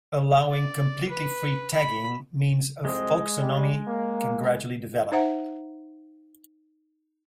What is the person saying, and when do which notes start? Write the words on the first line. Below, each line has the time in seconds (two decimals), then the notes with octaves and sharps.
Allowing completely free tagging means a folksonomy can gradually develop.
0.50 D5
1.09 B4
1.74 B5
2.85 C2 F2 G#3 C4 D#5 D#6
3.39 G3
3.87 A#3
5.12 D#4 C5 E5 F#5 A#5